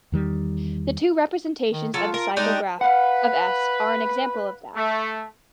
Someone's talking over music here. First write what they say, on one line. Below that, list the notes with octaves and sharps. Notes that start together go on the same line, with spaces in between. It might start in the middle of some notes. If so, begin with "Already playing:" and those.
The two representations of the cycle graph of S are an example of that.
E2 D#3 G3
D#3
F#3 F4 A4
A#4
G#3 D4 D#4 G4
B4 F5 F#5
A3